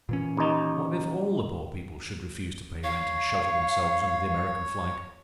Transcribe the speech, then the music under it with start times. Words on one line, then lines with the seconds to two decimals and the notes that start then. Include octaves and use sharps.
What if all the poor people should refuse to pay rent and shelter themselves under the American flag?
0.09 A#2 E3 C#4
0.37 D#2 D#4
2.84 C#5 F5